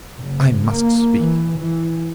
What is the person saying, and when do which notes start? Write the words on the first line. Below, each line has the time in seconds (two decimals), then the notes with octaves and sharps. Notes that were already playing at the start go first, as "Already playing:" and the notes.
I must speak.
0.19 F#1
0.69 A#3
1.20 E3
1.60 E3